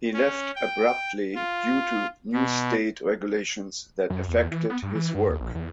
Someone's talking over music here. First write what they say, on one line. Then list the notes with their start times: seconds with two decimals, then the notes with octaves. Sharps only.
He left abruptly due to new state regulations that affected his work.
0.14 C#4
0.55 G5
1.35 F4
2.33 B2
4.10 F#2
4.28 E2
4.51 E3
4.70 B3
4.82 G2
4.95 E3
5.15 G2
5.29 D#2
5.40 A#1
5.55 E2